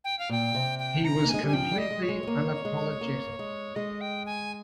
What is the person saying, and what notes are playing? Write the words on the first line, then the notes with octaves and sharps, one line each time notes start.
He was completely unapologetic.
G5
F5
A#2 G5
C3
G5
A#5
A#3
G#3 G#5
G3 G#5
F3 G5
G3
D#5
G#3
C#5
G#3
G#3
A#3
G#3
A#3
G#3
G#3 D#5
G5
G#5